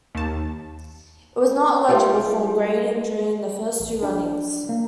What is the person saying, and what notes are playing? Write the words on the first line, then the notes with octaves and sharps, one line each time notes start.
It was not eligible for grading during the first two runnings.
D#2 A5
G3 E4 F4
A1
D4
A#3